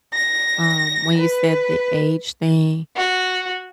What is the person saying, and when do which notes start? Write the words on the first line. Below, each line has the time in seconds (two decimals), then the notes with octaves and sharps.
um, when you said the age thing
0.13 A#6
1.17 B4
2.95 F#4